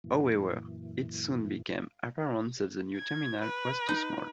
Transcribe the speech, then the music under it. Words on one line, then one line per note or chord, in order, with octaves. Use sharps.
However, it soon became apparent that the new terminal was too small.
F#2 A#2 E3
G#6
B4
D#4